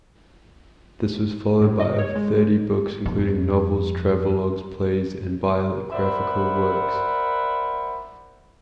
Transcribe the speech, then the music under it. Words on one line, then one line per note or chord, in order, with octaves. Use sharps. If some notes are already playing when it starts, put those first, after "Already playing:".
This was followed by over thirty books including novels, travelogues, plays and biographical works.
A2
D#5
C#5
G#3
F2 B2
A#4 C5 D5 E5 F#5 B5